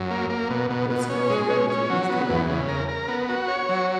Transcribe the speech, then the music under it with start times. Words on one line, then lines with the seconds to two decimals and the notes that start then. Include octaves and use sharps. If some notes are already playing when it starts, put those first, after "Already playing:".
Let's go altogether to Disney Land.
Already playing: F#2
0.10 A#3
0.30 A#3
0.50 B2
0.70 B2
0.90 B2
1.10 C#4
1.30 G#3
1.50 C#4
1.70 C#4
1.90 F#3
2.09 B3
2.30 E2
2.50 C#3
2.68 A#4
2.89 A#4
3.08 B3
3.29 F#4
3.48 C#5
3.69 F#3